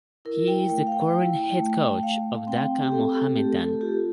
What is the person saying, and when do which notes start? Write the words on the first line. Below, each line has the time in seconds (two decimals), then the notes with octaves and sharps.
He is the current Head Coach of Dhaka Mohammedan.
0.25 E4 A#4
0.48 G5
0.70 A3 G5
0.87 F5
0.92 G5
1.14 E4
1.59 A3
2.03 A3 F5
2.47 C4 G5
2.83 G4
2.92 C4 A4
3.15 A4
3.36 A3 G4
3.59 A4
3.81 F4 G4